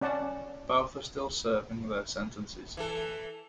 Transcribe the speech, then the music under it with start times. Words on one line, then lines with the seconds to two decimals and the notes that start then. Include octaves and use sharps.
Both are still serving their sentences.
0.01 C#4 D5 F#5 A5
2.77 E3 A4